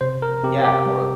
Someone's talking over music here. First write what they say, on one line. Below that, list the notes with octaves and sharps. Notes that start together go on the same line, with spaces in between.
Yeah, or
C3 C5
A#4
C3 G4
G4
G3